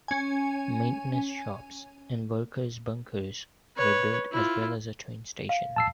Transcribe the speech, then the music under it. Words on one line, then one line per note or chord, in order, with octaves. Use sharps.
Maintenance shops and workers' bunkers were built as well as a train station.
C#4 G#5
B4 C#5
E4 F4
F5
A5 E6 C7